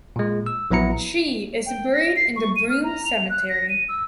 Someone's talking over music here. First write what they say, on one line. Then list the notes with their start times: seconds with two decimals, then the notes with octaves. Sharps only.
She is buried in the Broome cemetery.
0.16 A#2 G#3
0.46 E6
0.70 A#1 F#3 B3 E4 A#5 C#7
1.66 G5
1.93 A#6
2.16 C7
2.36 C#6
2.56 D#7
2.70 F6
2.84 A#5
3.05 F7
3.30 F#6
3.49 A#6
3.69 D#7
3.89 E6